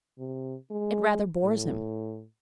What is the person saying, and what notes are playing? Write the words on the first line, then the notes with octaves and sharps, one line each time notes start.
It rather bores him.
C3
G#3
A2